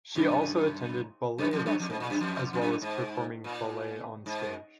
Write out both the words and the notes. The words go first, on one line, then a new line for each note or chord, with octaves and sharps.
She also attended ballet lessons, as well as performing ballet on stage.
F#2
F#2
F2
F#2
F2
G#2
A#2
F#2
F2
F2
F#2
G#2
A#2
G#2